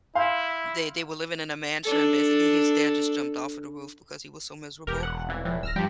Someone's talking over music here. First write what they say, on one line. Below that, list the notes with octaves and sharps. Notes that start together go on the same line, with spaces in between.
they they were living in a mansion and basically his dad just jumped off of the roof because he was so miserable
E4 F5 C6 G6
D4 A4
E1 G4 A#4
F#5
C2 E3
A2 E3 F3
D1 E6 F6 A#6
G2 F3 G3 G4